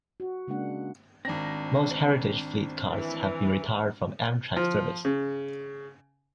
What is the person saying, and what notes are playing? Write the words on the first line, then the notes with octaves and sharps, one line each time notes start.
Most Heritage Fleet cars have been retired from Amtrak service.
F#4
C#3 G#3 A#3 D4 F#5
G#1 C4 D4 A#6
E3
F3
C#3